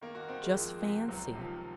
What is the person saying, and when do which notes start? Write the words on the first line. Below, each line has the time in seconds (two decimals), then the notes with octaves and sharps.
Just fancy!
0.01 D#3 A#3
0.15 F#4
0.28 D#3 C4
0.43 G#3
0.55 F2
0.82 C3
1.08 C#2 F#3
1.26 F3
1.35 C3
1.40 F3
1.45 D#3